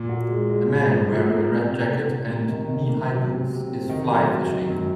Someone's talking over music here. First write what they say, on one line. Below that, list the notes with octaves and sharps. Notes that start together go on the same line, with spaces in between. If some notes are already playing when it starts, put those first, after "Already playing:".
A man wearing a red jacket and knee high boots is fly fishing.
Already playing: A#2
F#4
G#3
G#3
G#2
F3
F4
A#3
C3
C3
C3
C3
A#3
D#3
D#3
A#3
F#3
C3
C3
C4
D#3
F#3
F#3
D#3
F#2